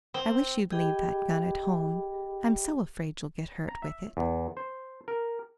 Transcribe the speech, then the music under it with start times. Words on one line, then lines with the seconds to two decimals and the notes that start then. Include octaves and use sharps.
I wish you'd leave that gun at home; I'm so afraid you'll get hurt with it.'
0.14 C4
0.71 G4 G#4 D#5 G5 B5 D6
3.68 A#5
3.82 E5
4.17 E2
4.57 C5
5.08 A#4